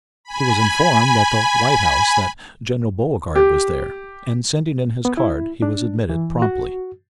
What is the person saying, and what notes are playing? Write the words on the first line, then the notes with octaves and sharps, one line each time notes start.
He was informed at the "White House" that General Beauregard was there, and sending in his card he was admitted promptly.
G#5 B5
G4
B3
E4
D4
E3
F#4